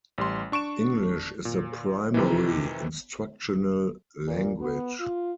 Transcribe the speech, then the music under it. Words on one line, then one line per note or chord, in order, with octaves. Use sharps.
English is the primary instructional language.
A1 G3 C6
D4 C#6 D7 E7
A#2
F2 C3 D#3 E3
A#2
B3
F4